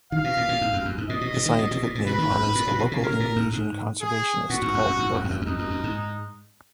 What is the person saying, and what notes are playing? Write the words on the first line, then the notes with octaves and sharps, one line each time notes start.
The scientific name honours a local Indonesian conservationist called Burhan.
D#3 F5
B2
A#2
A#2
G#2
F#2
F#2
G#2
A#2 D#5
B2
B2
D#3
A#2
B2
A#2
A#2
B2 B4
D#3
F#2
G#2
A#2
B2
B2
C#3
C#3 A#4
A#2
G#2
G#2
G#4
A#2 F#4
G#2
F#2
F#2
G#2
F#2
F2
F#2
F#2
F2 D#4
F#2
F#2
G#2